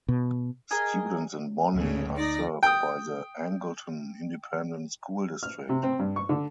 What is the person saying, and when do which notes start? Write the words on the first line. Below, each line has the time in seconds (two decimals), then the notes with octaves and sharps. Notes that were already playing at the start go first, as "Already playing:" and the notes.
Students in Bonney are served by the Angleton Independent School District.
0.08 B2
0.71 G#4 A#4 D#5 G#5
1.73 D2 G#2 C#3
2.17 D#4 D5 A#6
2.63 G5 D#6
5.43 F6
5.69 C3
5.83 C4
5.99 G2
6.16 C#6
6.29 D3